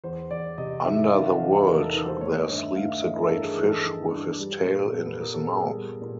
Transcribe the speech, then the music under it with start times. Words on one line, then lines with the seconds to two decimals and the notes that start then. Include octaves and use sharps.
Under the world there sleeps a great fish with his tail in his mouth.
0.04 E2 C5
0.31 E2 D5
0.58 C3 D#5
0.85 D#3 E5
1.12 D#3 F5
1.26 F#5
1.40 E2 F5
1.54 D#5
1.66 E2 A#4
1.80 A4
1.94 D#3 B4
2.08 C5
2.20 A3 C#5
2.39 D#5
2.48 G2
2.58 E5
2.75 A3 F5
2.88 E5
3.02 E3 D#5
3.16 A#4
3.23 A4
3.29 G2 A#4
3.43 G#4
3.58 E3 G#4
3.71 A4
3.85 E3
4.11 G2
4.39 G3
4.66 A#2
4.92 B3 A4
5.06 B4
5.21 A#2 A#4
5.34 A4
5.47 B3 G#4
5.74 G3
6.02 A#2